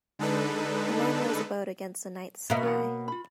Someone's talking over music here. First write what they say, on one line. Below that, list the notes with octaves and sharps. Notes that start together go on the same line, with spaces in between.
A man rows a boat against a night sky.
D3 G#3 D4 D#4 A4 B4
B2 A#3 D#5 E5
A#4 C#5 F#5
F4 B5